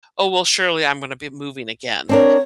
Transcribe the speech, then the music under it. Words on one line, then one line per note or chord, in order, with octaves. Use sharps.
"Oh, well surely I'm gonna be moving again,"
C4 D4 A#4 C#5